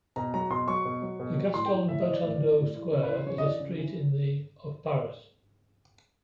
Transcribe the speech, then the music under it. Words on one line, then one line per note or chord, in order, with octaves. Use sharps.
The Gaston-Bertandeau square is a street in the of Paris.
B2 A#5
F#3 A#5
B2 C6
F#3 C#6
B2
F#3
B2
F#3
A2 C6
G5
E3
A2 E5
D#5
E3
D5
A2
E3
A2
E3
C#3 C#5
B4
E3 C5
C#3 C#5
D#5
E3 D5
C#3
E3